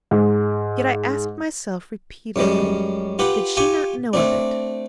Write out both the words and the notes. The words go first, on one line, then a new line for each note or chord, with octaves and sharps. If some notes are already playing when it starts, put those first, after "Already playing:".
Yet I asked myself repeatedly: Did she not know of it?
G#2
F#2 G3 G#3 C#4
F4 G4 B4 F#5
F4 G4 G#5 C#6
A3 C4 D4